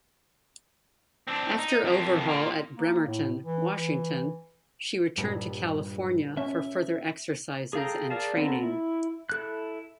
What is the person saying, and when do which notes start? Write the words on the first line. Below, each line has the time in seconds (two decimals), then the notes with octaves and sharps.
After overhaul at Bremerton, Washington, she returned to California for further exercises and training.
1.27 C4 D4
1.58 D#4
1.84 F2 A#3
2.28 A#3 F4
2.77 A#3
3.07 A2
3.45 E3
3.75 E3
5.18 D#1 G2 G3
6.37 C#4 E5
7.73 G#4 A4 F5 G5 A#5
8.10 G#4 A#4 D5 F5 A5
8.37 B3 C4 A4 A#4
8.63 E4
9.30 E4 A4 F#6